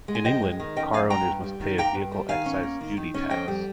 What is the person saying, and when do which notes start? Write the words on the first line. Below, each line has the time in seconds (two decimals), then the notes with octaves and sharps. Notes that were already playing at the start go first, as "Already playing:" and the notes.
In England, car owners must pay a vehicle excise duty tax.
0.08 G#3
0.15 G#5
0.25 F2 D#5 G5
0.42 G#3
0.60 D#3
0.76 C#4 D#5 G5
0.93 F2 F5 G#5
1.10 G#3 G5 A#5
1.27 G2
1.44 G3
1.61 D#3
1.78 A#3 G5 A#5
1.95 G2
2.12 G3
2.29 D#3 F5 G#5
2.46 C#4
2.63 A#3
2.80 D#3
2.97 D#3
3.14 C#4
3.30 F2 D#5 G5
3.48 G3